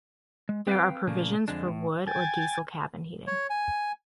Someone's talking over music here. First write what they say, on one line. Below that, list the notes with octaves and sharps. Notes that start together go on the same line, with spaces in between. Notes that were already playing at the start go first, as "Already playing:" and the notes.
There are provisions for wood or diesel cabin heating.
G#3
C4 B4 D#5 F5 G5
A#2 C#3 A3 A#3
F2 D3 G#3 D4
A2
G5 G#5 G#6 A6
C#5
G#5